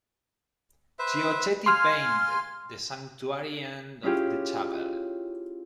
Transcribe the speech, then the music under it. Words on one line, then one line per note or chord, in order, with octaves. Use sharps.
Chiocchetti painted the sanctuary end of the chapel.
B4 C5 E5
F5 G#5 C6 F6
C#4 E4 F4 G4 G#4